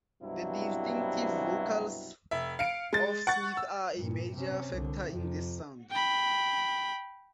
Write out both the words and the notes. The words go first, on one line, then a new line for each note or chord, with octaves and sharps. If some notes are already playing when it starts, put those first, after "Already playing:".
The distinctive vocals of Smith are a major factor in this sound.
C2 G2 B2 F#3 C4 E4
F1 E5
F5 C#7 D7
G#3 A6
F#5 C#6 A6
E6
G2 A#2
C3 C#4
C2 D3
F2 C3
G5 B5